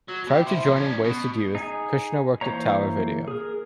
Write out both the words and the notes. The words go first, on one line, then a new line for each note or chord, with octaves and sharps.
Prior to joining Wasted Youth, Kushner worked at Tower Video.
F#3
B2 G4
E4 C5
A#2 F3
C#4 D4
B2
D#4 G#4 G#5
E3 A#3 C5 C#5 A#5
G#4 A#4